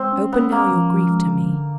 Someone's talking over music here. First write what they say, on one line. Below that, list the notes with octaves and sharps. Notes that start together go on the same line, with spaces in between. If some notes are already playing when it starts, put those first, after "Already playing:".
Open now your grief to me.
Already playing: G#3 C4
C#4
B3 C#4
A#3 C#4
F3
F3
G#3
D3
D3